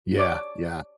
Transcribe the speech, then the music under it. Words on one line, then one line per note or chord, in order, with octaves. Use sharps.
Yeah, yeah.
C#5 D5 D6